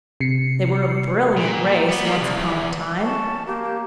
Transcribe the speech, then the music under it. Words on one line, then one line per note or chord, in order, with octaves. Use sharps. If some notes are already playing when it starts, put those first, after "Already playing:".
They were a brilliant race once upon a time.
C3 C7 C#7
A#2
B3
G3 A#3
C2
E2
C#4 A5
A#3 G4
G4